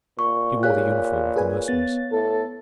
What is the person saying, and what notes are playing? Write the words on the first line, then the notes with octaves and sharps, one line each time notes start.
He wore the uniform of the Mercenaries.
A#2 C#6
G4 G#4 C#5 F5 F#6
G#4 B4 G#5
B3 A6
A2 A4